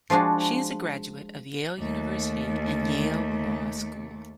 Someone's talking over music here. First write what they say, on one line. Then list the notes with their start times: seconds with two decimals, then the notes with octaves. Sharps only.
She is a graduate of Yale University and Yale Law School.
0.10 F3 G#3 D4 F#4
1.79 D#2 A3